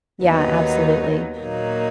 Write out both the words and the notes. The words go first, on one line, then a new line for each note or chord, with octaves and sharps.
Yeah, absolutely.
D#2 D#3 F#3 B3 D#4
A#2 F#3 A#3 D#4